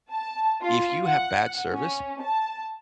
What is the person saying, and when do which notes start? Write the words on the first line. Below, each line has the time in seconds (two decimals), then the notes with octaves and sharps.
if you have bad service,
0.12 A5
0.62 F4
1.06 F#5
1.70 C#4
2.21 A5